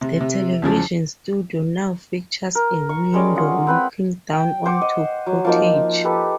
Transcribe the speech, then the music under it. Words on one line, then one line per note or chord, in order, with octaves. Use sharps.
The television studio now features a window looking down onto Portage.
C3
C3
E2 C#3 F3
A#4
C#6
G3 G#3 C#4 D5
F4 G#4 F#5
C4 B4 B5
G5
C5 F#5 D6
D#5
F#3
F3 A#3 D#4
G4 A4 B4